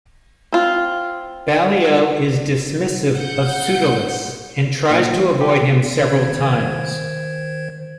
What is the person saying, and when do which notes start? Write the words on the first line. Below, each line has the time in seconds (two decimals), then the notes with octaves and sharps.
Ballio is dismissive of Pseudolus, and tries to avoid him several times.
0.52 C4 F4
3.15 F#5 G6
4.91 A#2
5.13 E3
5.41 G4
5.96 D#3 C5 G#6